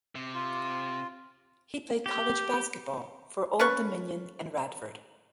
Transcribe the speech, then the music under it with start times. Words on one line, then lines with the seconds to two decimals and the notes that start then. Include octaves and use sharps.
He played college basketball for Old Dominion and Radford.
0.15 C3
0.34 F4
2.06 G4
3.59 C#4 A4 B4 C#6